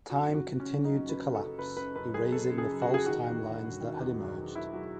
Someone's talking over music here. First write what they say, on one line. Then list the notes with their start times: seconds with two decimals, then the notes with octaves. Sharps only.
Time continued to collapse, erasing the false timelines that had emerged.
0.10 F#2 F#4
0.29 F#1
0.35 F#4
0.48 F#1
0.60 C#4
0.66 C#3
0.84 F#3 D#4
1.04 F#1
1.09 B4
1.22 C#3
1.35 A4
1.40 C#3
1.58 F#1 B4
1.77 C#3 B4
1.96 F#2 B4
2.14 F#3 G#4
2.32 F#3 A4
2.51 C#3
2.58 G#4
2.70 F#3
2.82 F#4
2.89 C#3
2.94 G#4
3.06 D#3 F#4
3.26 E1
3.43 E1
3.62 E1
3.80 D#3
4.00 E2
4.18 F#3
4.37 D#3
4.55 D#3 E4
4.73 F#3 F#4